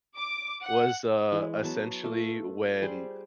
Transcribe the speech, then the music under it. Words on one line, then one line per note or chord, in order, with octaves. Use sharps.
was, uh, essentially when
D6
F#5
E3 G#3
F#3 B3 A5
A3 F4
G3 G#4 C5 D5